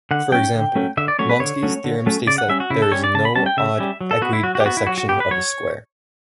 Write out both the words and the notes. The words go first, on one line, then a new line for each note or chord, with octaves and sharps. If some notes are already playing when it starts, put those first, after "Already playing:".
For example, Monsky's theorem states that there is no odd equidissection of a square.
D3 F#5
F#3 C#4 G5
D3
F#3 A3 C#4
D3 E5
D5
F#3 A3 C#4 C#5
B4
D3 C#5
F#3 A3 C#4
D3
F#3 A3 C#4
C#3 D5
F#5
G3 C#4 E5
F#4
C#3 E4
A4
G3 C#4 C#5
D5
C#3 A5
B5
G3 C#4 A5
G5
C#3 E5
G3 C#4
F#3
A4
B3 F#4
E4
F#3 F#4
F#4
G4
B3 F#4
E4
F#3 F#4
F#4
B3 G4
B4
F#3 C#5